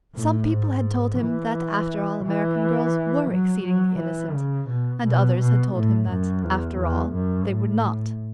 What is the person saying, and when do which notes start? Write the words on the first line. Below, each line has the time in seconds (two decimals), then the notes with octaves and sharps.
Some people had told him that, after all, American girls were exceedingly innocent; and others had told him that, after all, they were not.
0.15 A2
0.49 G#2
1.20 E3
2.25 E3
3.30 F#3
3.64 F#3
4.00 E3
4.34 C#3
4.70 B2
5.05 B2
5.40 B2
5.74 A2
6.10 F#2
6.45 E2
6.79 E2
7.14 F#2
7.49 A2